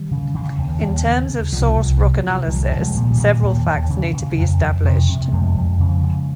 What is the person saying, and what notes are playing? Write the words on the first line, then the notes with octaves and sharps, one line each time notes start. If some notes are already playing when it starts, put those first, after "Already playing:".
In terms of source rock analysis, several facts need to be established.
Already playing: D#3 G3
C#3
C#3
D#2
D#2
C#3
C#3
C2 F3
C2
C3
F3
C3
C2 D#3 G3
C2
F3 G#3
A#2
D#3 G3
A#2
D#2
D#2
C#3
C#3
F2
F2
C3
C3
A#3
F2 F3 G#3
F2
C#3
C#3